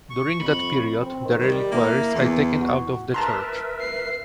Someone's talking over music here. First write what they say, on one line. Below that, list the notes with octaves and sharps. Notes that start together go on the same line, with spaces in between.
During that period, the reliquaries are taken out of the church.
C#6
F2 B5
C4
D#3
G3
A#3 E4
E2
F#4
A#4 B4 E5 A5 A#5 C6
C7